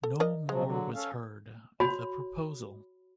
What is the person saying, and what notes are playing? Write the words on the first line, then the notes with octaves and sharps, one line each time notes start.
No more was heard of the proposal.
A4
A#4 D5 D#5
B2 F3 F#3 G#3
D3 F#3
C#4 A4 F5
F#4 C#5 B5